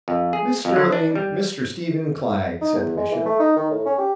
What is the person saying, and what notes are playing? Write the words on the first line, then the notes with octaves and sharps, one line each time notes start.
"Miss Sterling, Mr. Stephen Clyde," said the Bishop.
F2
G#4
F2
D3
D4
G3
D#4
E2
G#3
E3
A3
D#4
D#3
A2
C#4
G4